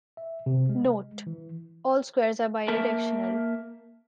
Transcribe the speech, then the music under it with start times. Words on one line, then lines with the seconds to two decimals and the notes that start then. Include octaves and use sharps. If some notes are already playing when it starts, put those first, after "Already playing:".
Note: All squares are bidirectional.
0.17 E5
0.46 C3
0.69 G#3
1.27 E3
2.68 A#3 A#4 E5 A5